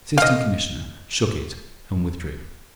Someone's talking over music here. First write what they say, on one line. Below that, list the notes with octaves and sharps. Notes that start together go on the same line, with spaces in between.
The Assistant Commissioner shook it, and withdrew.
D#5 F5